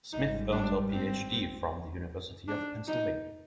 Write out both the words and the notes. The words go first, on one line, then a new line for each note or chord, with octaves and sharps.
Smith earned her Ph.D. from the University of Pennsylvania.
G#1 G#2 G3 D#4
D4
C4
D4
D#4